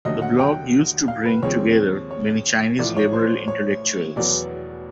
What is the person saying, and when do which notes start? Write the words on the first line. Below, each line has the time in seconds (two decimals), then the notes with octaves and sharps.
The blog used to bring together many Chinese liberal intellectuals.
0.05 D#2 D3 F#3 A3 D#5
0.22 F#5
0.40 G5
1.08 F5
1.25 B4
1.43 D#2 C#3 F3 G#3 C4 C#5
2.11 C#5
2.79 A1 A2 F3 D5
2.97 C#5
3.13 C5
3.48 C#5
4.16 E1 E2 B2 F#3 B3 D5